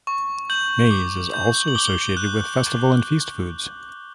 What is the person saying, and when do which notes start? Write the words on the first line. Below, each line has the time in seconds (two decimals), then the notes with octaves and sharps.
Maize is also associated with festival and feast foods.
0.07 C#6
0.50 G6 F#7
0.91 D6
1.33 G6
1.68 F#7
1.75 D6 G7
2.17 F#6